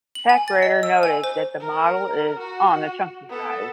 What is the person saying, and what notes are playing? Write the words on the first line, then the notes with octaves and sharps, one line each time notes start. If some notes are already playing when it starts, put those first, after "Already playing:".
Techradar noted that the model is "on the chunky size".
F#7
G#5
A6
D#5
E6
G#5
C5
A#4
F#4
B3 A4